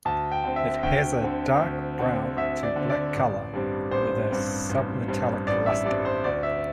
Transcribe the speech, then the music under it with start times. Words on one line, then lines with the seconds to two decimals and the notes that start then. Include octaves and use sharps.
It has a dark brown to black color with a submetallic luster.
0.05 D2 A5
0.31 G5
0.44 D3 C4
0.56 E5
0.83 D2 G5
1.21 D3 C4
1.59 D2
1.99 D3 C4
2.37 D2 E5
2.63 D5
2.76 D3 C4
2.89 D5
3.15 A1
3.53 G2 G3 C4
3.91 A1 C5
4.31 G2 G3 C4
4.69 A1
5.08 G2 G3 C4
5.47 A1 D5
5.66 E5
5.85 G2 G3 C4 D5
6.05 C5
6.24 D2 D5
6.43 E5